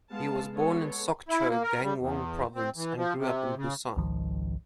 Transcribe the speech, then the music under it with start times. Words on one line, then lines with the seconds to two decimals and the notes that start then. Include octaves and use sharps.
He was born in Sokcho, Gangwon Province and grew up in Busan.
0.11 G#3 B3 F5 A5
0.53 G#3 B3 A4 C#5
1.29 E4
1.48 A#3
1.63 A#4
1.82 G3
2.01 E2
2.55 C4
2.76 E3
2.97 F3
3.18 C3
3.56 C#3
3.97 G#1 C#2 D#3 F3